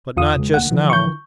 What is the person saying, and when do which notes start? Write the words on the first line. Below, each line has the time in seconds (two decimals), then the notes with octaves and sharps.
But not just now.
0.17 E2 F4 D#6
0.35 C#3 G#3
0.54 D2 A#3 F#5
0.71 D3 E3 F3
0.90 C#6 G6